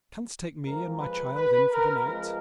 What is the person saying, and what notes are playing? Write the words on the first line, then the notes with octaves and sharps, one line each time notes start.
"Canst take me and my child in for the night?"
F2 F3 G#3 A#4
B4
B4
A#4
F2 F3 G#3